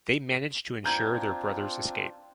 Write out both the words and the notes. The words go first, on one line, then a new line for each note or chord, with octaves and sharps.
They managed to ensure their brothers escape.
C4 D4 F4 A#5 G6 G#6